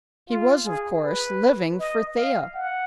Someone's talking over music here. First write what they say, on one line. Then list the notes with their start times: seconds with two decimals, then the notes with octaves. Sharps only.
He was, of course, living for Thea.
0.29 F4
0.66 G#4
1.04 B4
1.80 D#5
2.17 F5
2.55 F#5